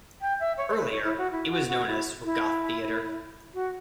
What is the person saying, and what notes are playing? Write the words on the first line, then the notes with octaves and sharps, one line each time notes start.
Earlier it was known as Swagath theater.
G5
E5
C#5
C#5
B4
C#5
E4
F#4
E4
F#4
F#4
E4
E4
F#4